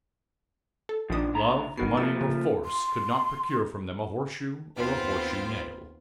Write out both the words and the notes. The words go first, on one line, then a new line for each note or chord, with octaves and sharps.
Love, money, or force could not procure from them a horseshoe or a horseshoe nail.
A4
A#1 D#3 F3 D4 D#6
D2 A2 A#5
G1 B2 D#3 F#4 C7
A#2 F3 A3 E6
C#3
C6
D#2 B3 C4 F4 C5 B5